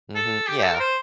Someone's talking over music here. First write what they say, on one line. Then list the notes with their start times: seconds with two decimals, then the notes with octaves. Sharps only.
Mhm, yeah.
0.15 A4
0.47 G4
0.58 G4
0.63 A4
0.74 A#4
0.80 C5